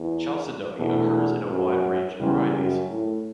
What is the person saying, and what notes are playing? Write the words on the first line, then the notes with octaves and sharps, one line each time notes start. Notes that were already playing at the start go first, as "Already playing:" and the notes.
Chalcedony occurs in a wide range of varieties.
Already playing: E2
E2 B2 A3 D4
F#2
E2 C#3 G3 C#4
F#2
A2